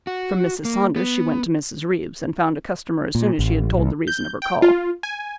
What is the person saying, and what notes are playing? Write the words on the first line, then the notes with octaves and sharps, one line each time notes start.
From Mrs. Saunders she went to Mrs. Reeves and found a customer as soon as she had told the reason of her call.
F#4
A#3
B3
A#2
A1
C2
G6
G5
F4
G#5